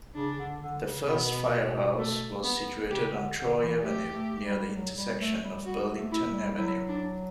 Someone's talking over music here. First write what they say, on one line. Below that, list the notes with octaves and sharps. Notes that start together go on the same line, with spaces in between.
The first firehouse was situated on Troy Avenue near the intersection of Burlington Avenue.
C#3 D4
D3
D3
C#3
B2 B3
A3
B3
C#3 G4
D3
D3
E3
A3 G4
A3
G3
F#3
G3
A3
G3
G3 F#4
A3
E4
G3
F#3 E4
D4